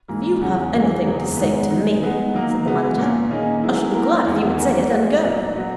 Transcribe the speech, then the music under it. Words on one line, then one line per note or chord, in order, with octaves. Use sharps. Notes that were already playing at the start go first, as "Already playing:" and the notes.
'If you have anything to say to me,' said the manager, 'I should be glad if you would say it, and go.'
G#2 E3 A#3
E2 C#3 F#3 C#4 F#4
F#2 E3 G#3
E2 C#3 F#3
G#2 D#3 G#3 B3
D#3 G#3 D#4
G#3 B3 D#4
D#3 F#3 A#3 D#4
C#3 G#3 B3 F#4
A#2 A#3 C#4
D#3 A#3 C#4 G#4 D#5
F#3 B3 E4 G#4
F#3 A#3 E4 A#4
E2 D#3 G#3 B3
E3 B3 F#4 A#4
G#3 B3 F#4
A#2 F#3 A#3
F#3 B3 F#4